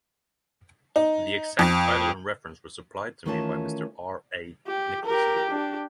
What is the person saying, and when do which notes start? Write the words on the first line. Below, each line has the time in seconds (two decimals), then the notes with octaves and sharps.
The exact title and reference were supplied to me by Mr. R. A. Nicholson.
0.96 D#4
1.59 F2
3.26 D#3 E3 A3 C#4 F4 A5
4.67 G4
5.06 G4 A#4
5.51 D4 G4